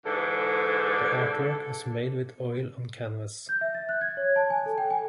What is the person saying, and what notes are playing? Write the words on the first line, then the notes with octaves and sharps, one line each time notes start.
The artwork was made with oil on canvas.
G#2 D3 E3 A4
G6
E5
A6
F#6
G#6
C#5
A5
G#5
A4
G5
G#5